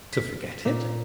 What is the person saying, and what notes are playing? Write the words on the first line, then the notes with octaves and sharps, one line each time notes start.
"To forget it!"
B6
A#2